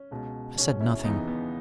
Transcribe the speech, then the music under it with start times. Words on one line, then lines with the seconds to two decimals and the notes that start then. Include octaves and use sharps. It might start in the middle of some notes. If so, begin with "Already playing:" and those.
I said nothing.
Already playing: C#4
0.11 C#2 B2
0.58 C#2 B2 C#4
0.81 C#4 E4
1.04 D#2 C#3 E3 B3 D#4
1.27 B3